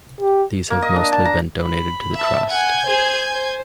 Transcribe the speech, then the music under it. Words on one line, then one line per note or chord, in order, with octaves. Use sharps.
These have mostly been donated to the Trust.
G4
A#3
D#5
D4
A5
A#5
B5
E5 A5
F#5 G#5 G6 G#6
G#4 C5
C5